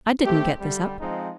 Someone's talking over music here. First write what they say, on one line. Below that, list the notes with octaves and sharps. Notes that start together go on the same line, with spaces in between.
I didn't get this up.
A3 C4 G4
D3 G3
F3 G#3 C4 D#4